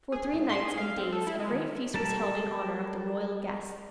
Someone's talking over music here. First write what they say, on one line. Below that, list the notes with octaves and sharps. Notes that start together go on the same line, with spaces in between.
For three nights and days a great feast was held in honour of the royal guests.
G#4
A2
C6
G#4
F5
C4
A4
E4
G#3
D#3
G3 A4 A#4 A5